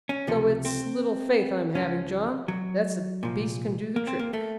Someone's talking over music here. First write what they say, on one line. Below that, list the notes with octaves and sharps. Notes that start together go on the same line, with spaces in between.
"Though it's little faith I'm having, John, that the beast can do the trick."
C#4
C#2 C3 F3 A3
C4
C#2 C#3 F3 C#4
F#3
C2 A#2 F3
A#3
C4
A#3
A3